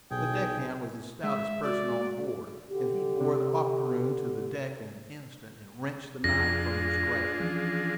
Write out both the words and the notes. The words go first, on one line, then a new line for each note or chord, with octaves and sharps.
The deckhand was the stoutest person on board, and he bore the octoroon to the deck in an instant, and wrenched the knife from his grasp.
B1 B2 G#4 G5
G#3 E5
F#4 D5
D3 G4
C3
F2 D4 F4 G#4 A#6
E3 F3 C#4